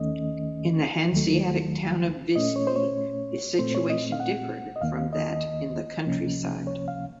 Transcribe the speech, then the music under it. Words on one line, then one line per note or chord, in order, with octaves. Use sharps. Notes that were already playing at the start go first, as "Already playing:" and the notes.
In the Hanseatic town of Visby the situation differed from that in the countryside.
Already playing: D#2 D#3 A3 C#4 D#5
D#2 D#3 F#3 A3
A#2 A3 C#4 D#5
C#5
C5
C#5
A#2 A3 C4 C5
C#5
D#5
F5
F#5
D#5
D#2 D#3 A#3 F5
D#5
C#2 C3 F3 A#3 C#4
C#5
F5